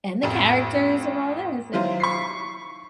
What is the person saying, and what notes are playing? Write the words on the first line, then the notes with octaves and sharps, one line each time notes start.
And, the characters and all this, and
A1 F2
D#3 F#3 E4 F4 C5
C#6 B6 C7